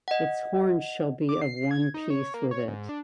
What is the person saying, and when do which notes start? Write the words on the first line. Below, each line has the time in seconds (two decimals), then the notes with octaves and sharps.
Its horns shall be of one piece with it.
0.08 D#5 F#5
1.29 D6
1.41 C7
1.56 C7
1.71 G#6
1.94 D#4
2.10 C#5
2.34 A#3
2.51 C#5
2.68 G#2
2.89 D4